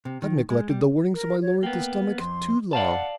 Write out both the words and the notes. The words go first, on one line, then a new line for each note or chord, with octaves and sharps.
'I've neglected the warnings of my lord the stomach too long.
C3
D#3
G#3
G3
A#4
C#5
A#3 B3 G5
F2 C6
D5 F5 F#5 A5